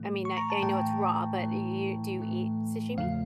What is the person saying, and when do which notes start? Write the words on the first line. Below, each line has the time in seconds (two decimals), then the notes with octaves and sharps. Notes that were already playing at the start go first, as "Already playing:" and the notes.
I mean, I I know it's raw, but you you do you eat sashimi?
Already playing: A2 E3 A3
0.25 C#6
0.37 A#5
0.50 A5
0.62 A2 E3 A3 G5
1.41 A2 E3 A3
2.19 A2 E3 A3
2.97 E2 C#3 F3 A3 F5